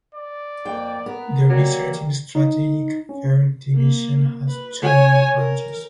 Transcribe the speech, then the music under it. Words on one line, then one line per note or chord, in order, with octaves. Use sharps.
The research in strategic fair division has two main branches.
D5
F2 A#3 G5
B3 A#4
F#3 G3 A#3
D#4
C#4
A#3
B4
C#5 G#5
A#4